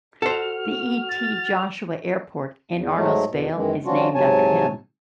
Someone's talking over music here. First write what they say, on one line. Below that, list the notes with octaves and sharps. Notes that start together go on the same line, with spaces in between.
The E. T. Joshua Airport in Arnos Vale is named after him.
F#4 A4 C5 F6
A6
E2
G#2 F#3 G#3 A3
E2 B2
F#2 D#3 E3 G#3
F3 G3 C#4 D4 F4 F#4
G#2 C3 F#3 C#5 G#5 A5